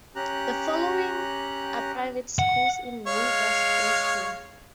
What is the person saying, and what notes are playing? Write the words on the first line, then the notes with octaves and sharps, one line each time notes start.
The following are private schools in Nova Scotia.
C#4 G4 A#5 F#6
F#5
G#3 C#5 F5